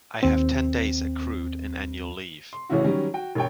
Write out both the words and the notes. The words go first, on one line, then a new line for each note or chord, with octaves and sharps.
I have ten days accrued in annual leave.
D#2 C4
C6
A1 C#3 E3 C#4 E4 F#4
D#3 F#3 G3 C#4
F#4 G5
E1 G2 C#5 G5